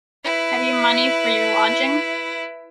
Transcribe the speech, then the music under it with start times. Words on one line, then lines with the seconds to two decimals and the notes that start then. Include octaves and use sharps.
Have you money for your lodging?
0.24 E4 B4